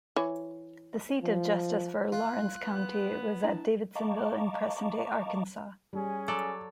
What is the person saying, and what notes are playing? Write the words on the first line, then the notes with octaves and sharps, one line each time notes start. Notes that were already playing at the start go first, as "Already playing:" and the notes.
The seat of justice for Lawrence County was at Davidsonville in present-day Arkansas.
E3 C#5
F3
F4 F#6
B3
D4 E4 A5 A#5
D#5 F5 A5 A#5 C#6 D6
G3 C#4 G#4
F#3 A4 D5